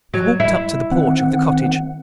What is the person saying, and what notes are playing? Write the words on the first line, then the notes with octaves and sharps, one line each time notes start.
We walked up to the porch of the cottage.
F#3
E4
D#3 C4 F#5